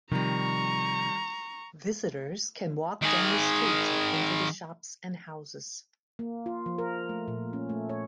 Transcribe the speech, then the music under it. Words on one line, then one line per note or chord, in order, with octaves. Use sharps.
Visitors can walk down the streets and enter the shops and houses.
C3 D#3 F3 G3 A#5 C#6
D#3 G#4
A#3
F4
F3
A#4
A3
A#2
C#4
A3
C#5